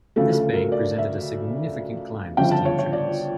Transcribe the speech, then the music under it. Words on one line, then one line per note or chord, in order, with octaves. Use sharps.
This bank presented a significant climb to steam trains.
D2 C#3 F3 A3 A4
A4
A#4
D5
E5
G1 F2 C#3 G5
A5
C#5
C#5
D5